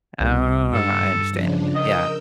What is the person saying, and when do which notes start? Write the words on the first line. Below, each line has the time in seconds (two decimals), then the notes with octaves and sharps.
Oh, I understand. Yeah.
0.21 C2
0.74 G2 A4
1.30 C#3 F3 D4
1.75 A#4 D#5 E6 G6